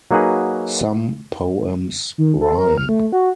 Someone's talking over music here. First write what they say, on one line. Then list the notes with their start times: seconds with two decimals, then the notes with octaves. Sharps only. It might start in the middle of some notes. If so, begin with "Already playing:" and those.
Some poems rhyme.
0.11 F#3 A#3 D#4 F#4 G#4 B4
2.18 D#3
2.41 A4
2.58 A#4
2.78 F6
2.89 A3
3.12 F#4